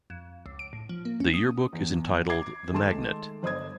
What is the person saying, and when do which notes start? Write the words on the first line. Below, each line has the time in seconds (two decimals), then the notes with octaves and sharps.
The yearbook is entitled The Magnet.
0.10 F2
0.46 C#2
0.59 D7
0.73 A2
0.89 F3
1.05 A#3
1.20 C#4
1.34 D#6
1.73 E2
2.29 D6 G#6 C7
2.72 D#3 G#3 A3 A5 C6 E7
3.43 G1 C5 D#5 D#6 G#6